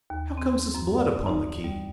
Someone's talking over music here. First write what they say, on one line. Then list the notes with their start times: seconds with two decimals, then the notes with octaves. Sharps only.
"How comes this blood upon the key?"
0.10 D#2
0.37 C4
0.75 F#2
0.97 D5
1.27 D#4
1.64 G3